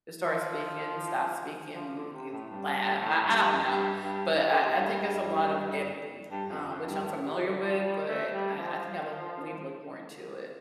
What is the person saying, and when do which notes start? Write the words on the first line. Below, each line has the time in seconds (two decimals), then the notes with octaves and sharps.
to start speaking and stop speaking in lab. I I don't know. But I I think there's a lot of editing, uh, which I'm familiar with, but I I think I look need to look more into it.
0.24 F3
1.75 F3
1.94 D3
2.13 C3
2.32 A2
2.52 G2
2.76 G2
3.02 A2
3.27 G2
3.65 G2
4.03 G2
4.52 D3
4.61 C3
4.70 A2
4.78 G2
6.31 G2
6.49 F2
6.69 F2
6.87 G2
7.06 A2
7.25 C3
7.37 F3
7.44 D3
7.63 F3
7.82 G3
8.08 A3
8.33 G3
8.58 F3